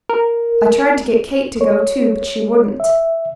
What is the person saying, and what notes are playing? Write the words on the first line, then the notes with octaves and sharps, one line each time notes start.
I tried to get Kate to go, too; but she wouldn't.
A#4
C#5
E5